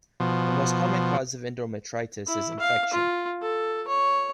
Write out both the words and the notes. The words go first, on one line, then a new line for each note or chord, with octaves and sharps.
The most common cause of endometritis is infection.
B2 F3
E4
F5
F4
A4
C#5